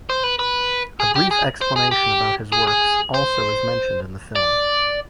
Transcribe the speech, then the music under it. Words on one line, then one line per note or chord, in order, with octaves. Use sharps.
A brief explanation about his works also is mentioned in the film.
C5
B4
B4
G#4
G4
G#4
C5
G#4
G4
G#4
G#4
C5
D5